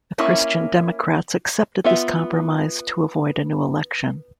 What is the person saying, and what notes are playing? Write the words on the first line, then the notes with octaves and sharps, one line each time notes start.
The Christian Democrats accepted this compromise to avoid a new election.
A#3 C#4 E4
B3 F4 E5